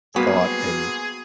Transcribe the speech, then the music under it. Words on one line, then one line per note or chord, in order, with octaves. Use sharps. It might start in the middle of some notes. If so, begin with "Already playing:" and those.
thought and
C2 F#3 A#3 B3 F#4 G#4